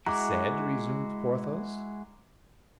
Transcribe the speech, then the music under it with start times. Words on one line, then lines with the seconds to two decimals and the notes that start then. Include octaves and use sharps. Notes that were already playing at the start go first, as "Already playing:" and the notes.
"He said?" resumed Porthos.
0.06 G#3 E4 F#4 A#5 D6